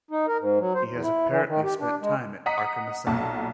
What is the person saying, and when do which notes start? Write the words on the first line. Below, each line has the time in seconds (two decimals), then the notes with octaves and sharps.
He has apparently spent time at Arkham Asylum.
0.11 D#4
0.27 A#4
0.40 G#2
0.59 F#3
0.74 C5
0.88 E2
1.03 E4
1.29 E3
1.47 D#3
1.64 G4
1.80 D4
2.01 G#3
2.46 D#5 F#5 A#5 D#6 B6
3.07 B1 A#2 F#5 A5